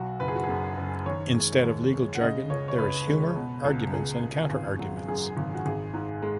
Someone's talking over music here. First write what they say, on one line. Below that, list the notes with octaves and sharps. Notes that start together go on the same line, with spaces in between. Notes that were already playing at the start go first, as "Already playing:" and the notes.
Instead of legal jargon, there is humour, arguments and counter arguments.
Already playing: B1 F#3 F#4
F#1 B4
G#4
F#4
G#4
F#2
F#1
D#3 C#5
G#3
D#2
G#3
F#5
C#3 D#5
C#2 C#5
C#5
C#2 B4
G#3
B2
C#2
C#2 G#4
C#2
G#1
F#3
F#2 G#4
G#1
F#4
G#1 G#4
G#2
G#3